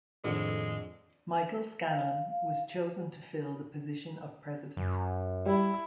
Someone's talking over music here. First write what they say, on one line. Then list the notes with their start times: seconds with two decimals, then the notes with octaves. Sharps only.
Michael Scanlan was chosen to fill the position of president.
0.24 F2 A2 D3 D#3 G#3 A4
1.88 F5
2.30 F5
4.77 F#2
5.46 G3 E4